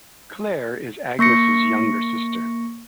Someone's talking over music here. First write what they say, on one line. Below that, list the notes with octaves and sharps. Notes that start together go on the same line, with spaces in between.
Claire is Agnes's younger sister.
A#3 C#6 A#6 C#7